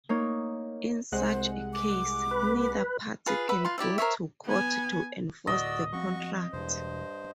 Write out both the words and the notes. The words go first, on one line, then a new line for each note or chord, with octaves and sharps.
In such a case, neither party can go to court to enforce the contract.
A#3 D#4 C#5
C2 G#3 C5 F#5
D6
B4
F4 G#4 B4
B4 E5 F#5 B5
F4 B4 C6
E4 G4 D5 E5
A#4 C5 C#5 E5
B3 G#5
D1 F#4 D5 D#5 E6
F3 C4 F#4 C#6
E1 E2 G2 C5